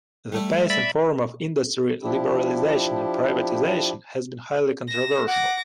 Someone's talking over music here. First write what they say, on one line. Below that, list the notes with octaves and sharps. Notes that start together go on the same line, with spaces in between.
The pace and form of industry liberalization and privatization has been highly controversial.
G3 A3 E4
D5 E5 B5
F3 D4 E4 G4
A#6 E7
F#5 D6 A#6